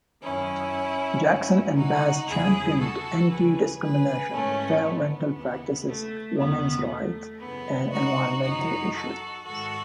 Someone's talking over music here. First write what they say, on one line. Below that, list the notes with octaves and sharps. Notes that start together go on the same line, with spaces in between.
Jackson and Baize championed anti-discrimination, fair rental practices, women's rights, and environmental issues.
F#2 D#3 C#4 E4
F#2 D#3 C#4 E4
D#4 F#4
E2 C#3 E3 E4 G#4
F#4 A4
D#2 C#3 E3 G#4 B4
G#4 B4
G#2 E3 A3 C#4
B3
D#2 C#3 E3
A3
E2 D#3 B3
A3
F#2 C#3 E3 B3
D#4 F#4
F#2 E3 D#4 F#4
F#4 A4
G#2 D#3 F#4 A4